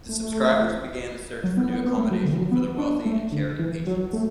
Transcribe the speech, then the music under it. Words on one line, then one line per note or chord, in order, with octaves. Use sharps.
The subscribers began the search for new accommodation for their wealthy and charity patients.
A3
F#3
B3
B3
B3
A3
F#3
D3
E3
F#3
B3
D4
A3
D3
E3
F#3
A3